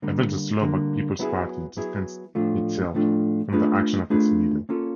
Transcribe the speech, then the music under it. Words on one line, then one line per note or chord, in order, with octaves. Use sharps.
Even the Slovak People's Party distanced itself from the action of its leader.
D3 G3 A#3
D3 G3 A#3
F#3 B3 E4 G#4
F#3 B3 E4 G#4
A2 F3 A3 D4 F4
A2 F3 A3 D4 F4
A3 D4 F4 G#4 B4
A3 D4 F4 G#4 B4
A#3 C#4 F4 A4